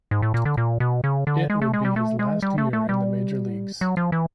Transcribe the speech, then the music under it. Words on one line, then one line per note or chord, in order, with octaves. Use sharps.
It would be his last year in the major leagues.
G#2
A2
A#2
D3
A#2
B2
C#3
D3
G#3
A3
G#3
G3
A3
G#3
G3
A3
A3
G3
F#3
F3
E3